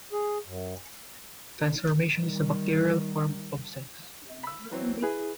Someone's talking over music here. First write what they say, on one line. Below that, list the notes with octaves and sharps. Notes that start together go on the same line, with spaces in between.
Transformation is a bacterial form of sex.
G#4
F#2
D#3 G3
B5 E6
E3 F#3 C4
E4 G#4 B4